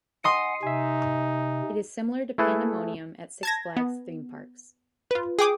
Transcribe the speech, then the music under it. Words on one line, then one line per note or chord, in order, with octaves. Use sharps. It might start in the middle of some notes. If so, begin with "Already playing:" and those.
It is similar to Pandemonium at Six Flags theme parks.
D#5 F#5 G#5 C6 D#6
C3 D#4 E5 G#5
A3 E4 G#4 A4 B4
A5 G#6 A#6
B3
F4 B4
G#4 G5 D6 D#6